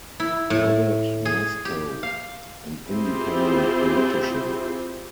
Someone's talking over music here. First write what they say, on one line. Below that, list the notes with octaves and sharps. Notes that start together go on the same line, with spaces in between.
Robert Mustow, an independent politician.
E4
A2
G#4
G4
F5
C4 E4 F4 G4 G#4 C5